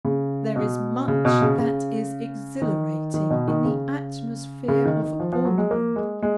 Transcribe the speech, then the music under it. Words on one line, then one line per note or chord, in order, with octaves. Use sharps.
There is much that is exhilarating in the atmosphere of a ball room.
C#3
B2
C#3
B2
C#3
C#3
D#3
D#3
B2
D#3
C#3
C#3
D#3
D#3
F3
F3
F#3
G#3
A#3
G#3
G#3